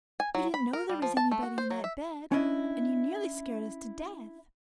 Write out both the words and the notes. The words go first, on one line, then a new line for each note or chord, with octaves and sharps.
We didn't know there was anybody in that bed and you nearly scared us to death.
G#5
F#3
B5
A#4
G3
F3
A5
A3
F#4
C5
F#3
E5
C#4 D4 E4 D#5